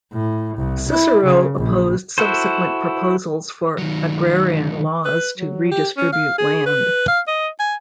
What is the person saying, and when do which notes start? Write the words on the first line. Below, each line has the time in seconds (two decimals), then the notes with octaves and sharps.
Cicero opposed subsequent proposals for agrarian laws to redistribute land.
0.13 A2
0.57 C2
0.89 E4
1.24 C#3
1.56 A#1
2.18 E4 F#4 A4 C5
3.78 D#3 F#3
5.05 B4
5.38 F#3
5.71 G4
5.97 C#4
6.13 F5
6.38 G#4
6.66 B4
7.08 F5
7.28 D#5
7.60 G#5